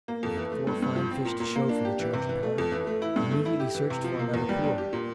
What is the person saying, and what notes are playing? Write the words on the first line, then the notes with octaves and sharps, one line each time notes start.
We had four fine fish to show for the charge of powder, and immediately searched for another pool.
A#3
F2
E3
A3
G2
G2
F3
C4
A#2
A#2
A#3
D4
G4
E3
C3
E3
A3
F2
E3
A3
E4
G2
A3
E4
G4
E3
C3
F3
A#3
E2
G3
D4
G4
A#2